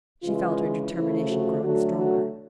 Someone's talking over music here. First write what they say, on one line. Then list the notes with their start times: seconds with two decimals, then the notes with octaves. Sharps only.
She felt her determination growing stronger.
0.23 C#3 E3 G#3 F4
0.92 C#3 F3 A3 E4
1.27 F#4
1.62 D3 F#3 A3 F#4
1.97 F#4